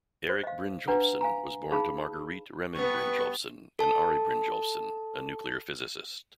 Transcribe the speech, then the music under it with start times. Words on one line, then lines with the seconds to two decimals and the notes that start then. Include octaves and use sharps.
Erik Brynjolfsson was born to Marguerite Reman Brynjolfsson and Ari Brynjolfsson, a nuclear physicist.
0.29 C5
0.44 D#5 F5
0.88 D4 B4 F#5 A#5
1.21 F5 G#5 A#5
1.71 D#4 G#4 F5 A5 B5
2.76 G2 B3 B4 C#6
3.79 A4 A5